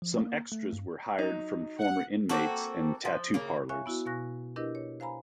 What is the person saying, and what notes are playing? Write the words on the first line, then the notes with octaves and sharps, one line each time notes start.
Some extras were hired from former inmates and tattoo parlors.
F3
A#3
A3
G2
F#3 D#4
F#5
A#3 C4 F#4 A4
F3
C#3 A#3
C#5 E5 F5 G#5 C#6 F#6
B3 E4 F#4
B2 F5 G#5 C#6 F#6 A#6
D4 E4 G4 A#4 B4 D#5
C#5
C5 F5 G#5 A#5 B5